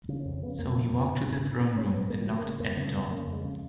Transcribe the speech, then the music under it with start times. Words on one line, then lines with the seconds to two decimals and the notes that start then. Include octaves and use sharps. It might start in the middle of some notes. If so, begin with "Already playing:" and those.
So he walked to the Throne Room and knocked at the door.
0.08 C#3
0.20 C#4
0.25 F2
0.43 C#3 B3
0.59 F2 A#3
0.75 C#3 A#3
0.93 F2 B3
1.10 G#2
1.26 G#2
1.43 G#2
1.59 G#2
1.76 G#2 C#4
1.93 G#2 B3
2.10 G#2 A#3
2.20 F3
2.26 G#2 F#3
2.39 A#3
2.43 C#3 G#3
2.60 F2 A#3
2.76 C#3 B3
2.93 F2 B3
3.11 C#3 A#3
3.27 F2
3.33 G#3
3.44 C#3